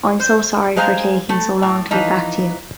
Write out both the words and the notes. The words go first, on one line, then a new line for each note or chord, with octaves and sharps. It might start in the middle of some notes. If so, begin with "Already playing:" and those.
I'm so sorry for taking so long to get back to you.
C5
G#3 G#4 C5 F5 A#5
A3
A2
E3 F3 D#4